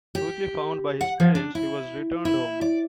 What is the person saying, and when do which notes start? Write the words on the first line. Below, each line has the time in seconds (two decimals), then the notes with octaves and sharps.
Quickly found by his parents he was returned home.
0.15 G4
1.01 F#5
1.20 F3
1.35 D4
1.55 E4
2.25 E4
2.61 D5